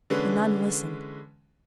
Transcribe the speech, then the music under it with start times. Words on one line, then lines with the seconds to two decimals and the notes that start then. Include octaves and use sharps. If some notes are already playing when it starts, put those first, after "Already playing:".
The nun listened.
0.10 D3 E3 G#3 C#4 B4